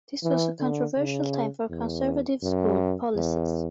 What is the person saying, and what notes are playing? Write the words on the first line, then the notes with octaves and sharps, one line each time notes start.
This was a controversial time for Conservative school policies.
E3
D3
C#3
E2
F#2
E2